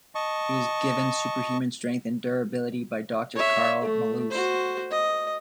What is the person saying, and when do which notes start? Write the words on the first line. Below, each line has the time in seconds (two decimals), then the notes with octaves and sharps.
He was given superhuman strength and durability by Doctor Karl Malus.
0.15 D#5 A5 C#6
3.35 C#5 E5
3.82 A3
4.30 F#4 C5
4.91 D#5